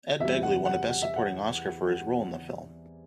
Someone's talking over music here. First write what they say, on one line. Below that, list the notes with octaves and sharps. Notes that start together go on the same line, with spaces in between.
Ed Begley won a Best Supporting Oscar for his role in the film.
E2 C3 G3 E5
F#5
F#5
F#5
E5
F#5